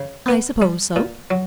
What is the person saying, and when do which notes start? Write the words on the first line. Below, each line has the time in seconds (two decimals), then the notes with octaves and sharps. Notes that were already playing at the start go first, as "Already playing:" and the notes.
"I suppose so."
Already playing: C#3
0.28 B3
0.62 G3
0.96 A#2
1.31 F#3